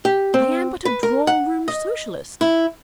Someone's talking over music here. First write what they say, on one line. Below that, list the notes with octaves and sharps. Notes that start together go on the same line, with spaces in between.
I am but a drawing-room Socialist.
G4
C4
B4
A#4
F#5
D#5
E4